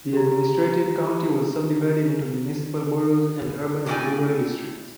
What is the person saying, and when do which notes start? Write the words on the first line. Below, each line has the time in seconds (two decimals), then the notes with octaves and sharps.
The administrative county was subdivided into municipal boroughs and urban and rural districts.
0.13 G4 A#5
3.86 A2 C#3 G4 C#5 D5 G#5